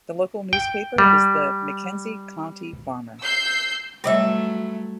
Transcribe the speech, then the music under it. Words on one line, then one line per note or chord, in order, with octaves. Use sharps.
The local newspaper is the "McKenzie County Farmer".
G5
G3
E6 G6 C7
F#3 G3 A3 B4 C#5 D5 E5